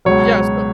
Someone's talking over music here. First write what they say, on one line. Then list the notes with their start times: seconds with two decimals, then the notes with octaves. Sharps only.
Yeah, so
0.05 C#2 B2 F#3 C#5